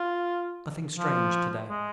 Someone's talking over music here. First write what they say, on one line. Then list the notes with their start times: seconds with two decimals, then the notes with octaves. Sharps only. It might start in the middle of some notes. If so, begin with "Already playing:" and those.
Nothing strange to day.
Already playing: F4
0.96 F3
1.69 G#3